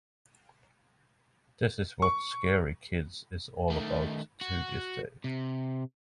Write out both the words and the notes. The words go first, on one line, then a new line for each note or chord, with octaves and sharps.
This is what Scary Kids is all about to this day.
C#6
D#3 A3
F#4
C3